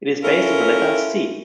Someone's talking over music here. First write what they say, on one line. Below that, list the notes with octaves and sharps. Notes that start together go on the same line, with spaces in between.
It is based on the letter "c".
C#4 E4 F4 A4 A#4